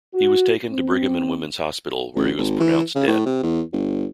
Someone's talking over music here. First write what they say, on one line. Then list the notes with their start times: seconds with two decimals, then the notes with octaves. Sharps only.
He was taken to Brigham and Women's Hospital, where he was pronounced dead.
0.14 F#4
0.71 C4
2.16 A1
2.38 G#1
2.60 E3
2.96 C#3
3.08 A2
3.26 C3
3.43 E2
3.72 G1